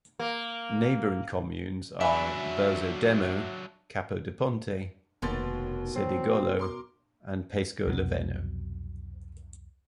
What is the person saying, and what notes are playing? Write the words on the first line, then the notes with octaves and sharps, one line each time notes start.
Neighbouring communes are Berzo Demo, Capo di Ponte, Cedegolo and Paisco Loveno.
A#3
F#3 D4 E5 G#5 B5
F1 D#2 B2 C6 A6
F#3 C4
A#4 C6 D6
C2 F2 B2 F#3